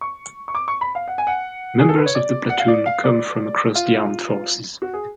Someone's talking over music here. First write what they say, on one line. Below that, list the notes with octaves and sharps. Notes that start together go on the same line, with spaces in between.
Members of the platoon come from across the armed forces.
C#6
C#6
D6
C#6
B5
F5
F#5
G#5
F#5
G#4
A4
B4
C#5
D5
F#5
F5
D5
F5
D5
F4
F#4
G#4